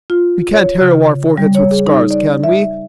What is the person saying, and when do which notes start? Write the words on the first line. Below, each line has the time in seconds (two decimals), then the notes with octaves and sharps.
We can't harrow our foreheads with scars, can we?
0.10 F4
0.53 C#5
0.81 C#3
1.37 G3
1.55 C#5
1.71 G#4
1.86 D#4
2.11 D5
2.44 E5